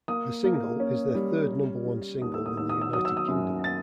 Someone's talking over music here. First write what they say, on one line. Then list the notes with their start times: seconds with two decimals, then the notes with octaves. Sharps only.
The single is their third number one single in the United Kingdom.
0.08 A#3 D#6
0.44 A#3
0.80 C#4
1.15 G3
1.50 G3
1.86 G3
2.22 D#2 D#6
2.34 E6
2.46 D#6
2.57 D#3 E6
2.69 D#6
2.81 E6
2.93 F#3 D#6
3.05 E6
3.17 D#6
3.28 F#2
3.64 A6